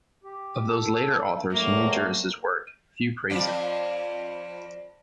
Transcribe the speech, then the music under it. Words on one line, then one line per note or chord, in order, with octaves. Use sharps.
Of those later authors who knew Duris's work, few praise it.
G4
A4
E2 A2 A3 A#3
F2 F3 D5